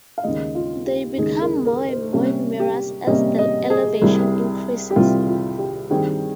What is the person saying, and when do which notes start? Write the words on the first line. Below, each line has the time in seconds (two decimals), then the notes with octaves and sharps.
They become more and more numerous as the elevation increases.
0.18 F5
0.23 D#2 C#3 G#3 D#4 D#5
0.55 F4
0.86 G4
1.18 D#2 C#3 G#3 D#4 G#4
1.42 A#4
1.65 A#4
1.89 C5
2.12 C3 G3 A#3 C#4
2.60 G4
3.07 C3 G3 A#3 C#4 D#5
3.38 D#5
3.70 G#4
4.02 C2 C3 G3
4.91 G4
4.96 C2 C3 G3 F4
5.28 F4
5.59 G4
5.90 G2 D#3 G3 C4 G#4